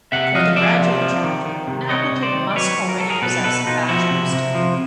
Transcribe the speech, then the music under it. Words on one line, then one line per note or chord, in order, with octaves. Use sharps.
For the graduate chapter, an applicant must already possess a bachelor's degree.
C3 E5 F#5
F3 D#5 F5
F3 D5 E5
C3
F3
D#3
D#3
C3
G3 C#5 D#5
C3
C5 D5
D#3
D5
F#3 B4 C#5
F#3
A#4
F#3 A4
G#4 A#4
B2 A4 B4
B2 A4 B4
B2 D#4 F4
F3 E4 F#4
C3
C3
F3